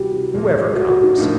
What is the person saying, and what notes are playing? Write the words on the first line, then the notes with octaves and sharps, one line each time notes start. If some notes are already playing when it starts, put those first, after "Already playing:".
Whoever comes.
Already playing: C3 E3 G3 F#4 G4
A#2 F3 A#3
F#4
F#4
D#4
A2 F3 A#3 D4 D#4